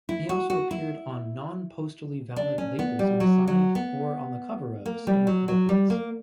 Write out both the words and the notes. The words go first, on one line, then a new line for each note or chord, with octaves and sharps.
He also appeared on non-postally-valid labels inside, or on the cover of, stamp booklets.
E4
F#4
F#4
E4
D4
C#4
B3
G3
F#3
F#3
B3
A#3
G3
F#3
F#3
G3
A#3